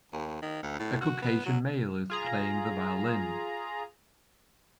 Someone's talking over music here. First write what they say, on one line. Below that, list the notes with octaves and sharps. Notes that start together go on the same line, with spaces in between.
A Caucasian male is playing the violin.
D#2
D#3
D2
A2
F#4
B3
F#3
F4 G#4 A#5